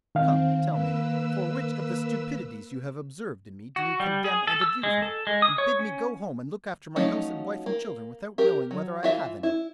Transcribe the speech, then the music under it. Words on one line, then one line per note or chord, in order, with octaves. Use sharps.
Come, tell me, for which of the stupidities you have observed in me do you condemn and abuse me, and bid me go home and look after my house and wife and children, without knowing whether I have any?
D#3 C4 F5
A#3 B4 E6
F#4
G3
G#4
A4
E6
G#3
A4
G#3
D#6
C#5
C#4
F3 F#3 A3 C#4 D#4
A#3
G4 A#4
F#3
E3 F4 E5
E4